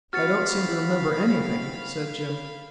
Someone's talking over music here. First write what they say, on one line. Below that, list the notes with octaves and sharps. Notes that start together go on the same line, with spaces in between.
"I don't seem to remember anything," said Jim.
C4 E4 F#4 F5 B5 F6 A6 C#7